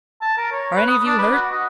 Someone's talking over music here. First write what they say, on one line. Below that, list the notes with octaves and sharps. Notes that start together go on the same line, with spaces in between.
"Are any of you hurt?"
A5
A#4
C#5
B4
D#6
D4
B4
F#4
D#5